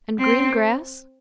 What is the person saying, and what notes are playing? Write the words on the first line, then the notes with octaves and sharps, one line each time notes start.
"And green grass?"
C4